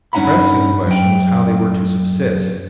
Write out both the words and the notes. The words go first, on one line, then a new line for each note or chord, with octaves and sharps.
The pressing question was how they were to subsist.
G2 C#4 D#4 F#5 A#5 B5
F#2 G5